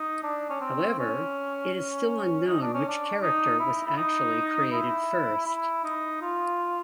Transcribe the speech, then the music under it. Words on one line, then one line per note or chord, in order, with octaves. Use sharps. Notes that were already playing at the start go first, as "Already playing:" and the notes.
However, it is still unknown which character was actually created first.
Already playing: D#4
D4
C#4
C4
C#4
D#4
D4
C#4
D4
D#4
E4
E4
D#4
E4
E4
D#4
F4